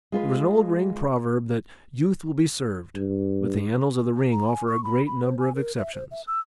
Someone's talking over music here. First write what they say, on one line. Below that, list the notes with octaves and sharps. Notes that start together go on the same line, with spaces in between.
There was an old ring proverb that "Youth will be served," but the annals of the ring offer a great number of exceptions.
G#3 F4 B4
G2
A#5
G#5
C#6
B5
B5
C5
G#5
A#4
E5
C5
E5
E6